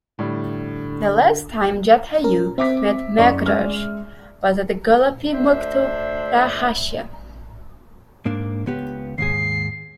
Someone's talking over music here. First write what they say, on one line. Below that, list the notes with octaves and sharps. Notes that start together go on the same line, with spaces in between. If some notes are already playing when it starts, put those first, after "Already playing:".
The last time Jatayu met Meghraj was at Golapi Mukto Rahashya.
A2 D3 G3
C#4 A#4
C4 E5 D6 B6
F#1 D5 D#5 C#6
G#3 E5 F6
D2 D4 C5 E5
G#2 A#3 D4
C#2 B3 G4
D#2 G#2 G#4 C7